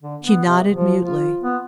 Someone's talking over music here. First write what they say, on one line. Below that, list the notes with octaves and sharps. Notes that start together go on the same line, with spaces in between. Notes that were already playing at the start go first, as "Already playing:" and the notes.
She nodded mutely.
D3
B3
C3
F3
F4
B3